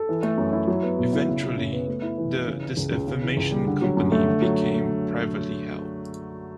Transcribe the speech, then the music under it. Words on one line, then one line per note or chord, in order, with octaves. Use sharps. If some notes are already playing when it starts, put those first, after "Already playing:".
Eventually, the Disinformation Company became privately held.
Already playing: A4
E3
A3
F#2
E4
F#3
B3
B2
E4
C#3
F#3
F#2
B3
A3
E4
E3
E3
C#3
E3
C#2
C#2
C#3
E3
C#2
G3
D3
F#3
F#2
A3
D3
F#3